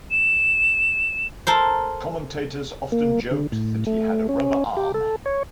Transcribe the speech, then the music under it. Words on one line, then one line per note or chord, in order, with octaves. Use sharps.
Commentators often joked that he had a "rubber arm".
E7
A4 A#4 C5
A#3
D3
A2
A3
C#4
G4
A4
C#5